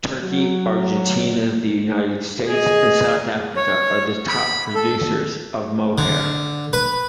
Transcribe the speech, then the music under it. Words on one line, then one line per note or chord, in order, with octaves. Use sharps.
Turkey, Argentina, the United States, and South Africa are the top producers of mohair.
F#3
G#4 D#5
C#5
B5
A4
D3
B4